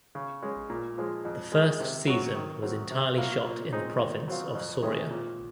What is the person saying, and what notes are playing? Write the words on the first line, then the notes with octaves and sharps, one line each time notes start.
The first season was entirely shot in the province of Soria.
C#3
G#3 C#4
A#2
F3 G#3
F2
D#3 G#3
C3
F#3 C#4 F#4
D#3
F#3 C4
C3
F#3 A#3 F4
A#2
G#3 C4 D#4
D#3
F#3 C4 F4
F2
C3 D#3 G#3 C#4
A#2